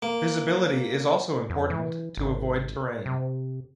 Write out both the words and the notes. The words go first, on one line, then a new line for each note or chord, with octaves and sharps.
Visibility is also important to avoid terrain.
A#3
F2
E3
G#1
C3